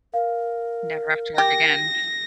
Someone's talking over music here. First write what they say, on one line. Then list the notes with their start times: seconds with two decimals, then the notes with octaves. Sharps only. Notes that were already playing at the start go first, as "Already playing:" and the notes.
Never have to work again.
0.14 A#4 F5
1.38 G4 A#6